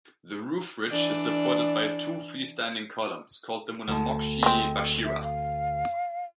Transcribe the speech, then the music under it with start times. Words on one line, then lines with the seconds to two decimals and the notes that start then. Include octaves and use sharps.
The roof ridge is supported by two free-standing columns called the munamochi-bashira.
0.89 E3 D4 D5
3.88 D2 A5
4.43 G#3 C4
5.05 E5
5.23 F5